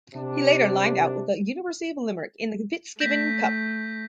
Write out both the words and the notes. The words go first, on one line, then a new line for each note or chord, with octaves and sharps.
He later lined out with the University of Limerick in the Fitzgibbon Cup.
C3 D4
A3 G6 A#6 B6